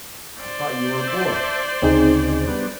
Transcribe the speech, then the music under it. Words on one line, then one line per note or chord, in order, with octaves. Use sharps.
"I thought you were a boy."
C5 D5
E5 A5
D2 C#3 C4 D#4 G#4
G3 B3 D4